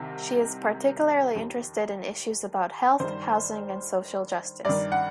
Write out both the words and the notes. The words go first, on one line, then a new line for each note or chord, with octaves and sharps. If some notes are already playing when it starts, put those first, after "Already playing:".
She is particularly interested in issues about health, housing and social justice.
Already playing: C2 C3 D#3
D#2 D#3
G2 D#3 C5
G2 D#3 D5
F#5